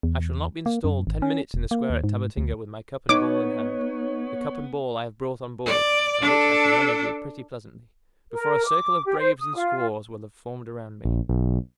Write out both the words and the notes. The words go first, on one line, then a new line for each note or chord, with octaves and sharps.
I shall not be installed ten minutes in the square at Tabatinga, with my cup and ball in hand--the cup and ball I have brought on board, and which I can manage with pretty pleasantly--before a circle of braves and squaws will have formed around me.
E2
A#3
F#2
G#1
C#4
E1
A#3
D#2
G#2
D2
B3 D#4 C#5 D6
D5
D4 A4
A#4
D6
G4
C5
D#6
F4
A#1
B1